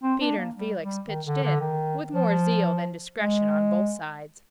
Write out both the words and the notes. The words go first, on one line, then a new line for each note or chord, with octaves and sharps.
Peter and Felix "pitched in," with more zeal than discretion on both sides.
C4
D4
A#3
G3
G3
D#3
D3
D3
D#3
F3
G#3